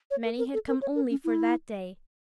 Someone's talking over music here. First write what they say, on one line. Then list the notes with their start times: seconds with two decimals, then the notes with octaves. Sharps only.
Many had come only for that day.
0.11 C#5
0.25 A#4
0.38 A#4
0.54 A4
0.68 A#4
0.81 C#5
0.95 A#4
1.10 C#4
1.25 E4